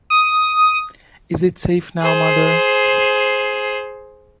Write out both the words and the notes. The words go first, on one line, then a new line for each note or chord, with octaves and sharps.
Is it safe now, mother?
D#6
G#4 C5